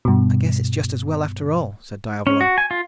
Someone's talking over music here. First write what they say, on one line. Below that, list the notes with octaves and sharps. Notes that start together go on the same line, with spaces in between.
"I guess it's just as well after all," said Diavolo.
G2 B2
C#4
F#4
G#5
F4